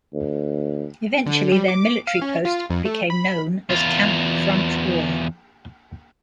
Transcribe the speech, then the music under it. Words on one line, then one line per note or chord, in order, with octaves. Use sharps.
Eventually their military post became known as "Camp Front Royal".
D2
D3
G3
D6
F5
C#4
F4
F2
A3
B5
E2 F4